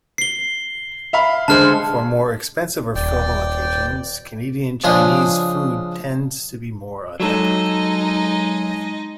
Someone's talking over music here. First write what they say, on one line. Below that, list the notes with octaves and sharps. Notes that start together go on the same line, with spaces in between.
For more expensive or formal occasions, Canadian Chinese food tends to be more authentic.
C7 G7
E5 F5 B5
D3 G#3 C5 A5 F6
D#1 D5 G5
C#3 F3 G#3 D4 F5 D#6
F#3 G#3 D#4 A4 D#5